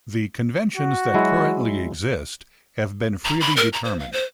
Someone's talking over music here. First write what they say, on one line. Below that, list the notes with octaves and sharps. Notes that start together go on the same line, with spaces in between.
The conventions that currently exist have been freely determined.
F#4
F#3 G#3 E4
A#5
B5
A#4
A#5
C5
F5
C5